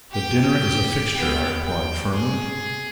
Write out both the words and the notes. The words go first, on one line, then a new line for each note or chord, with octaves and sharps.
"The dinner is a fixture," I replied firmly.
G4 G5
B3 G5
G5
G#4